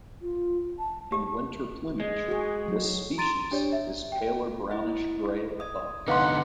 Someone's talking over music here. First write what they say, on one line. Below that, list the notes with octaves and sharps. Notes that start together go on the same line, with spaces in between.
In winter plumage, this species is paler brownish gray above.
F4
A5
G4
G#3
F#4 G#4
F#3
A#5 C6 A6 D7 D#7
D4 G4 C#5 D5
E5
G5
E4 D#5
D#6 G#6
D3 B3 D#4 B4 F5 F#5 C6 D6